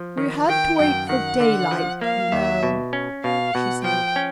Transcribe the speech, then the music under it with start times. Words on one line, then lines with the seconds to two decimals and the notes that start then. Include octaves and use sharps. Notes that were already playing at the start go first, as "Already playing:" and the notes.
"We had to wait for daylight, you know," she said.
Already playing: F3
0.18 D#3
0.49 D#3 G5
0.79 F#2 G5
1.09 D#3 F#5
1.40 D3
1.71 F3
2.01 A#3 F5
2.32 D#2 E5
2.63 B2
2.93 C#4
3.24 B2 F5
3.54 B2 F#5
3.84 F3 G5
4.16 C#4